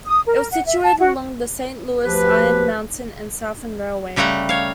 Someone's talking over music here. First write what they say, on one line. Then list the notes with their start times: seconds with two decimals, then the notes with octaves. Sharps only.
It was situated along the Saint Louis, Iron Mountain and Southern Railway.
0.06 D#6
0.26 A#4
0.51 F#5
0.66 E5
0.83 A5
0.98 F#4
2.03 D2 F3 G4 B4
4.16 C#3 G3 A3 F#5 A#5
4.49 C#5 F5